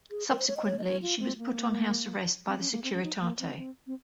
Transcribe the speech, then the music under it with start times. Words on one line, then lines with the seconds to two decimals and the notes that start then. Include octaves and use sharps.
Subsequently, she was put on house arrest by the Securitate.
0.11 G#4
0.30 A#4
0.39 C5
0.48 C#5
0.57 D#5
0.65 C#5
0.79 D#5
0.84 C#5
1.02 F4
1.20 C4
1.39 A#3
2.47 C4
2.59 C#4
2.71 A#3
2.84 C4
2.94 C#4
3.03 D#4
3.20 A#3
3.39 C4
3.57 C4
3.87 C4